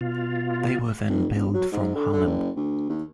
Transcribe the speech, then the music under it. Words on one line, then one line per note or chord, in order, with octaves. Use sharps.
They were then billed from Harlem.
B2 F4
F1
E1
F#3
G#2
D3
D3
F#1
D2
D#2